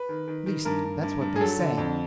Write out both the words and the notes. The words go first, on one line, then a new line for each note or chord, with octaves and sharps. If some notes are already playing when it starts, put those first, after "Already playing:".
At least that's what they say.
Already playing: B4
D#3
D#3
D#3
G2 A#4
G2
G2
G2
G#4
F#3 A4
D3
F2